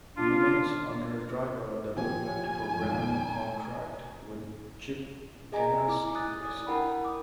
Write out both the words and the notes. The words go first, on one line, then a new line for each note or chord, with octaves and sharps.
He remains under a driver development program contract with Chip Ganassi Racing.
D4 F4
F3 G4 G#5
G#1 F2
A#5
G#4 D5 D#5 G#5 A#5
E4 D6
G#5 D#6 F#6 A6
D5 D#6
D4 E4 A#4 F#5 G5 B5
D6 D#6